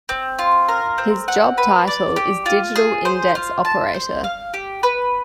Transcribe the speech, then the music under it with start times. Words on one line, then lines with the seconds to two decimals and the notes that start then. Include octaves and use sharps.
His job title is digital index operator.
0.09 C4
0.39 F4
0.68 A#4
0.98 C4
1.28 F#5
1.58 B4
1.87 D5
2.16 G4
2.46 F4
2.76 G#4
3.05 C5
3.35 F4
3.65 A5
3.94 C5
4.24 F5
4.54 G4
4.83 B4